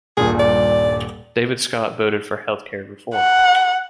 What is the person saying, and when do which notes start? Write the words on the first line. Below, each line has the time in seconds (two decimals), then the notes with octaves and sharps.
David Scott voted for healthcare reform.
0.17 D#1 G2 A#2 G#4
0.40 D5
3.15 F#5